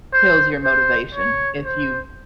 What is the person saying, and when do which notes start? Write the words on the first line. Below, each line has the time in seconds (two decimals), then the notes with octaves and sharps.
kills your motivation if you
0.14 C5
0.64 C5
1.15 C#5
1.65 C5